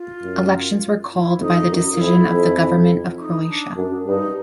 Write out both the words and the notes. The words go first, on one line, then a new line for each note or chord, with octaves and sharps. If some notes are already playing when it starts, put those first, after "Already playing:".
Elections were called by the decision of the Government of Croatia.
Already playing: F4
F#2
E4
F2 D#4
F#2
F4
F2 E4
F2
D#4
D4
F#2 D4
G2 D#4